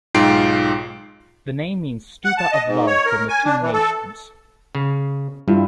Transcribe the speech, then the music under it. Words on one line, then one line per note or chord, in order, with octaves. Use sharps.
The name means "Stupa of Love from the Two Nations".
B1 G#2 F4 G5 C7 D7
F#5
A5
D#5
G#2
C#5
A#4
G#5
D4
E3
A4
C#3
G2 G3 E4 F4